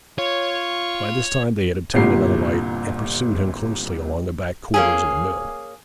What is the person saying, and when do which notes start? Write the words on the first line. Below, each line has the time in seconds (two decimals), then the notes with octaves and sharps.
By this time they had obtained another light, and pursued him closely along the back quarters of the mill.
0.18 F4 C#5
1.94 G1 C2 A#2 G4 C7
4.74 A#3 C#4 G#4